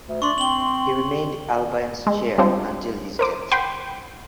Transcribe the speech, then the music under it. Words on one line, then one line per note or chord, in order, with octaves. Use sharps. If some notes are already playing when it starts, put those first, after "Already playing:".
He remained Albion's chair until his death.
D2
D4 C6 C#6
C4 F#7 G7
G#3
G3 C4 D4 F4 C5
A#4 C5 D6
F#5 G5 B5 C6